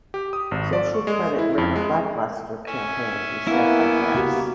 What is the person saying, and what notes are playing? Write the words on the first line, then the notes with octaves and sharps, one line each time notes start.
Social Credit ran a lackluster campaign beset by gaffes.
G4
D#6
G#1
D5
C#6
G#3
E4
F2
G#3
C#4 E5 G#5
A#3 B3 E4
C#3 F#4 G4